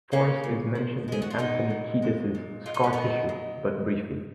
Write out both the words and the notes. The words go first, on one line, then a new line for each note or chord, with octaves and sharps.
Forrest is mentioned in Anthony Kiedis's "Scar Tissue", but briefly.
C#3 A#3 C#4
C#3
F3
G#3 G#4
F#4
F4
G#3 B3 D#4
A#2
G#3
A#2
G#3 F4
D#4
C#4
A#2 B3 D#4
G#3